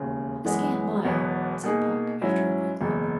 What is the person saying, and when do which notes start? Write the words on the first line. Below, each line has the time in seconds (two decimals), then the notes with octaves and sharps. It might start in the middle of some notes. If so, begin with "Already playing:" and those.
'A scant mile,' said Puck after a quick look.
Already playing: E1 D#2 C#3
0.45 F#2 E3 G#3 B3
1.04 E1 E2 B2 F#3 B3
1.63 B2 A#3 D#4 G#4
2.21 G#2 F#3 C#4 E4
2.81 F#1 E2 B2